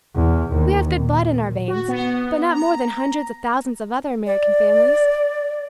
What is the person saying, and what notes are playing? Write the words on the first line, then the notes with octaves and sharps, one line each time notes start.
We have good blood in our veins, but not more than hundreds of thousands of other American families.
E2
D#2
A#2
F#4
B3
A#5
D5